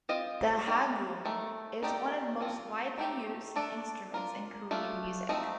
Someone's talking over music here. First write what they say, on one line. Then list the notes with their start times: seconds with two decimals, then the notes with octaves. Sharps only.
The "haegeum" is one of the most widely used instruments in Korean music.
0.09 C4 F4 C5 D#5
0.67 D#3 G3 C4
1.25 D#3 A3
1.83 D#3 A3 D#4 G4 D5
2.41 F3 C4 F4
2.98 D#3 A3 C4 G4
3.56 A3 D4 A4 D5
4.14 D4 F4 A#4
4.71 A3 D4 F4
5.29 F3 A3 C4 D#4